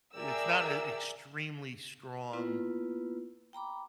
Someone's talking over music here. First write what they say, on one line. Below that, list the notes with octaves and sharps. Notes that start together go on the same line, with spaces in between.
it's not a extremely strong,
G#4 A#4 D5 E5 G5 E6
A#3 B3 E4 F4 B4
G5 A#5 B5 D6